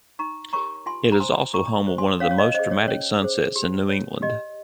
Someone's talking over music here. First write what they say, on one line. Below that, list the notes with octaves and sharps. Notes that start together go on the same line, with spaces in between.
It is also home of one of the most dramatic sunsets in New England.
D#4 A#5 C#6
G4 A#4 C#5 A#5 C#6
F4 G#5 C6
A#5
C5 G#5 C6
F4 A#5 C#6
C5
G#5 C6
C#4 C#5 F5
C#5
D#5
G#4 C5 D#5
C#5
C#4 C#5
G#4 C5
G4
C#5
G4 D#5